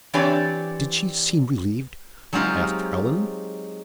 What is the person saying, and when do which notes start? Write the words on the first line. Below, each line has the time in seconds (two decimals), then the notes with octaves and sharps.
"Did she seem relieved?" asked Allan.
0.14 E3 C4 D4 G4 C#5 D5
2.33 F#3 G#3 C4 D#4 F4 G4